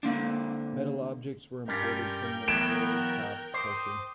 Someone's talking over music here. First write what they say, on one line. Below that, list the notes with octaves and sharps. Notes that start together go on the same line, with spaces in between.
Metal objects were imported from the Maykop culture.
D3 A#3 C4 D4
G2 G3 C#4 F4 G4 A#4 G5
E3 F#3 B3 D7 E7
C5 D6 D#6